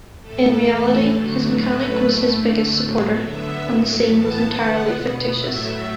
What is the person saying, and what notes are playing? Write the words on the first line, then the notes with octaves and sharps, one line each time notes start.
In reality, his mechanic was his biggest supporter, and the scene was entirely fictitious.
A2 A3 A4
A2 E3 A3 A4
D3 F#3 A3
A2 F#3 A3 B4
A2 A3
D3 A3
A2 F#3 A3
D3 B3 E5
A2 F#3 A3
A2 E3 B3 A5
D3 B3 F#5
B2 B3
A2 F#3 A3 E5